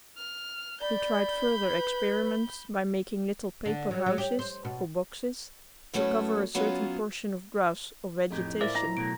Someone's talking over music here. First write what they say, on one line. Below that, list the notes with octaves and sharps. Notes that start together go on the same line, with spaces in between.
He tried further experiments by making little paper houses, or boxes, to cover a certain portion of grass or vegetation.
F6
D5 B5 G6
B4
D3
F#3
F#3
G4
C5
B2
A2 F#3 A3 B3 C#4 E4
F#3 B3 C#4 F4
F2 A2 D#4 G4 G#4
A2 E4 F4 A#4 C5 D5 E5 A5
A#5
B2 F#3 A3 D7